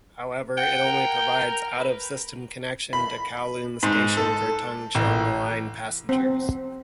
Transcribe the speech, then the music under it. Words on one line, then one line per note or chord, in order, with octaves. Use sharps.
However, it only provides out-of-system connection to Kowloon Station for Tung Chung Line passengers.
F#5 G5
A#4
B4
B5
G#2
A4
A1
C4